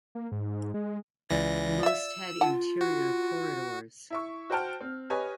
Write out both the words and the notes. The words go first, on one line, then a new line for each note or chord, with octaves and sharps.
Most had interior corridors.
A#3
G#2
G#3
C#2 E3 D5 A#6
F4 E5 E6
F4 F#5 A5
F#4
E4 E5 C#6
F#4 C5 F#5 G5 A5 F6
C4
G4 B4 C#5 D#5 G#5